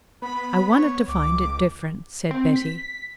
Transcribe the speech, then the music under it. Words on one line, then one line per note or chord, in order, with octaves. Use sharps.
"I wanted to find it different," said Betty.
B3 B5
C#5
C#2 D6
C4
B6